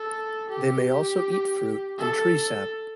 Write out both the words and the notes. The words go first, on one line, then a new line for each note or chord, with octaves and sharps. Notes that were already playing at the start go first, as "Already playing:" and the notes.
They may also eat fruit and tree sap.
Already playing: A4
G4
A4